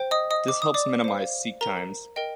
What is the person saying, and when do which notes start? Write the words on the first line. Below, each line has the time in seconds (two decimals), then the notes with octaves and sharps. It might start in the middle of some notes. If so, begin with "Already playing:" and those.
This helps minimize seek times.
Already playing: C5 G5
0.11 D#5 D#6
0.31 D#5 D#6
0.48 D6
0.62 D#6
0.74 D5 D6
1.04 C5 F5
1.61 A#4 A#5
2.16 A#4 D#5 G5